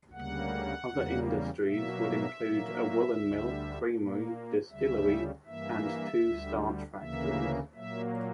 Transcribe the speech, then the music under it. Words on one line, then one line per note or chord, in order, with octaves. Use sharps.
Other industries would include a woolen mill, creamery, distillery and two starch factories.
D2 C#3 G3 A#3 F#5
E2 C#3 G3 A#3
B2 F#3 A#3 E5
A#2 F#3 A#3
D2 D3 G3
A#2 A#3
D2 C#3 G3 E5
G2 E3 A#3 E5
D2 D3 G3
D2 C#3 E3 A#3 E5
A#2 F#3 A#3 E5